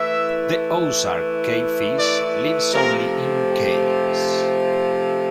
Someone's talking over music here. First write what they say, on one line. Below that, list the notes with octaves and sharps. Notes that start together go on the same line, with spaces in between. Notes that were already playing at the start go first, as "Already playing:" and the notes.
The Ozark cavefish lives only in caves.
Already playing: E3 A3 E4 E5
D5
C3 F3 A3 A#4
G4